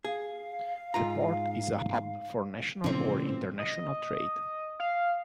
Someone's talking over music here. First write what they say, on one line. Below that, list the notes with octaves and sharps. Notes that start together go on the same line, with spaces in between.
The port is a hub for national or international trade.
G#4 F5
G#2 F4 A#5
A1 A#2 C#3 F3 C4 D4
D#5
F5